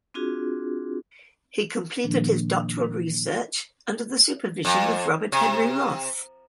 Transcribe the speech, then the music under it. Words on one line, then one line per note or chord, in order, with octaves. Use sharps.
He completed his doctoral research under the supervision of Robert Henry Roth.
C4 D4 F4 F#4 G#4
A#2 D#3 F3 A#3 D4
F2
C3